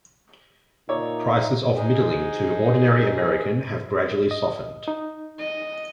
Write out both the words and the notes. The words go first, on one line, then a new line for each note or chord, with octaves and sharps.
Prices of middling to ordinary American have gradually softened.
A#2 D#4 C#5 D5 E5
D#4 G#4
D#5
D#4
D#5